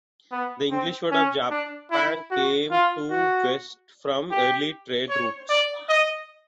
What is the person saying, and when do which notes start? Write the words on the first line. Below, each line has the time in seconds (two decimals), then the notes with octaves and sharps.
The English word for Japan came to the West from early trade routes.
0.32 B3
0.71 C4
1.11 C#4
1.50 D4
1.91 E4
2.31 F#4
2.70 F4
3.10 F#4
4.31 G4
5.09 C#5
5.49 D5
5.89 D#5